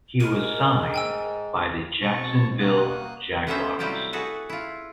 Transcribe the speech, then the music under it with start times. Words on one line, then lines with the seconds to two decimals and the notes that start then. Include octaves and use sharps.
He was signed by the Jacksonville Jaguars.
0.20 G#2 A#4 D#7
0.94 G5 G#5 E6
2.02 B1 B2 C4 A5 C#6
2.60 G#1 D#3 A#3 F#4 D#6 F#6
3.47 A3 B3 C#4 B4 C5 E5
3.79 C3 F#3 G3 E4 F4 G4
4.13 F#4 G#4 A4 B4
4.49 E4 F4